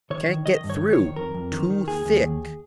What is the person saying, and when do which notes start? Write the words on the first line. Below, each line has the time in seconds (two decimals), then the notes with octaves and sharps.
"Can't get through--too thick!"
0.10 D#3 C#5
0.29 D#3
0.46 D#3 D#5
0.64 G2
0.70 C#5
0.81 D#3
0.93 C#5
0.99 D#3
1.16 F2 A#4
1.34 F2
1.52 D#3
1.70 D#3
1.88 D#2 G#4
2.06 D#2
2.23 D#2